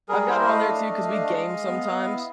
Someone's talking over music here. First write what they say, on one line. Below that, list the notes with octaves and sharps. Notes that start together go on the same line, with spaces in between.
I've got her on there too 'cause we game sometimes.
G3 G#4 A#4
E4 A#4 C5
A3 D#5 F5
D4
A3
D4
G#3
G#3
B3
B3
E4